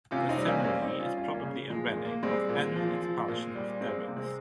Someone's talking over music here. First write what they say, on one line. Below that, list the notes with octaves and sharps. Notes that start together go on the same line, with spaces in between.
The ceremony is probably a relic of an annual expulsion of devils.
C3 C#4 F4
C4 D#4
G3
A#3 C#4
C4
G3 A#3 C#4
C4 D#4
G3
C#4 F4
G3 C#4 F4
A#3 C#4
C#3
F3 G#3
G#3
A#2
A#3
G3 G#3 C4
A#2
F3
F3
A#2
G3
G3 G#3 C4
A#3
C3
G#3 C4